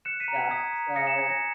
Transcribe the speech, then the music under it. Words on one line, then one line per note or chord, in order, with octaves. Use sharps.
stuff so,
F#6 C#7 E7
B6 D#7
A#5
G#6 B6
D#6 G#6 B6
A#5
D#6 A#6 C#7
C#7 E7
G#5 G#6
A#6